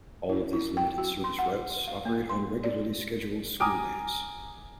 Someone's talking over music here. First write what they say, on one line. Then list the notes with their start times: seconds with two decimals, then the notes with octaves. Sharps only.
All of these limited service routes operate on regularly scheduled school days.
0.29 E4
0.53 E4
0.77 G5
0.98 F#4
1.24 C6
1.39 F#5
1.88 F5
2.05 A#3
2.29 C6
2.64 D5
3.60 G#5 A#5 D6 D#6 F6 D7